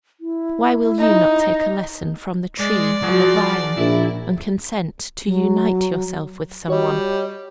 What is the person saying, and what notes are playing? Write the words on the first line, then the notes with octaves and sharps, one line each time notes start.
Why will you not take a lesson from the tree and the vine, and consent to unite yourself with some one?
E4
D#4
G#3 D5
F3 F#4 G#4 A#5
A#1 E4
F#3
G3 F#4 C#5 D#5